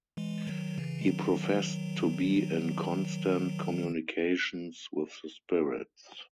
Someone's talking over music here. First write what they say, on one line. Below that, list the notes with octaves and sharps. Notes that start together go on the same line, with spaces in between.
He professed to be in constant communications with the spirits.
E3 G#3
D#3 F#3
C#3 E3
G#3
D#3 F#3